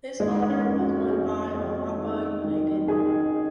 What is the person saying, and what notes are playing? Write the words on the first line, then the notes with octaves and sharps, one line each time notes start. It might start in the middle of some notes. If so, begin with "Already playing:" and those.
This honour was won by Orapa United.
D#3 G#3
C#4
F2
F#4
F2 G#4
F2
D#3
D#3
D#3 G#4